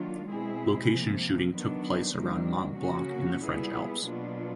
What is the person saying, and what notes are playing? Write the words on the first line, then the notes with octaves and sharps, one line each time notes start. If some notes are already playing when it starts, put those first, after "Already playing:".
Location shooting took place around Mont Blanc in the French Alps.
Already playing: D#3 F#3 A#3 D4 F4
B2 G#3 C4 E4 G#4
C3 F3 A#3
D#3 F#3 B3 D4
C3 D#3 G3 A#3 D4
C#3 F#3 A#3 C#4 F#4
A#2 G3 B3 E4 G#4
B2 F#3 A#3 D4 F4